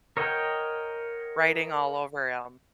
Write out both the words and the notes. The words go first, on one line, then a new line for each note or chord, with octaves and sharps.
writing all over 'em.
A#4 C#5 D#5 F#5 G5